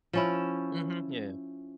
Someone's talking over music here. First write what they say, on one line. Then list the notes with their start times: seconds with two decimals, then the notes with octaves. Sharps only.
Mhm, yeah.
0.13 F3 C#4 E4